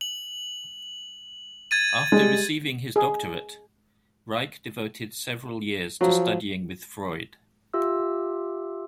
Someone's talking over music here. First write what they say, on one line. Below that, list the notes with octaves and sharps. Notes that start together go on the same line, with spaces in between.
After receiving his doctorate, Reik devoted several years to studying with Freud.
F#7
G#6 A6 D#7
G3 G#3
G#4
F3 F#3
F4 G4 E5 E6